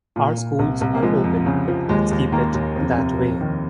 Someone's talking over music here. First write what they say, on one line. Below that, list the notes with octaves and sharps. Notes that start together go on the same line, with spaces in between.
Our schools are open. Let’s keep it that way.
A#2
A#2
C2
C2
A#3
F3 G#3
F2
C#3
F3
D#2 G#3
D#2
D#3 A#3
D#2
F2
C3
F2
D#3